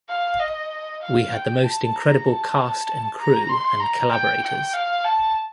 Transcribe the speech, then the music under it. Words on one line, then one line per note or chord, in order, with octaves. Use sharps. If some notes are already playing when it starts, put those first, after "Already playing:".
We had the most incredible cast and crew and collaborators.
F5
D#5
F5
G5
A5
A#5
A5
A#5
C6
A#5
G5
G5
F5
A5